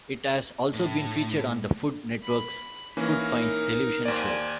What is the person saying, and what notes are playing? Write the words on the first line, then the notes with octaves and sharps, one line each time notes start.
It has also been featured on the Food Network's "Food Finds" television show.
A2
B5
E3 A#3 C#4 D#4 A#4
D#2 C5 D5 G#5